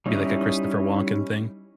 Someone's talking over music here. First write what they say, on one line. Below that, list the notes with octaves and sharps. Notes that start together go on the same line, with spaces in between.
be like a Christopher Walken thing.
G3 C#4 D#4 E4 D#5